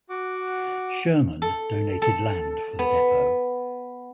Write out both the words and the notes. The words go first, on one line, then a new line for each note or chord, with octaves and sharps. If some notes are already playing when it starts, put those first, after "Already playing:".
Sherman donated land for the depot.
F#4 F#5 D6
A4
A4
B3